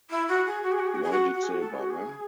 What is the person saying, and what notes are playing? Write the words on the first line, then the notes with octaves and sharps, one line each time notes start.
Why did they bother?
E4
F#4
G#4
F#4
G#4
F#4
G#4
F#4
G#4
F#4
F#4
G#4
F#4
A4
G#4
F#4
G#4